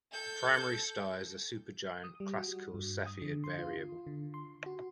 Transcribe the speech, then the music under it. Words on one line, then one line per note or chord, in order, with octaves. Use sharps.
The primary star is a supergiant Classical Cepheid variable.
A4 G6
D#6
G3
F#4
G2
D#6
D3
C6
F4
D3
C6
F#4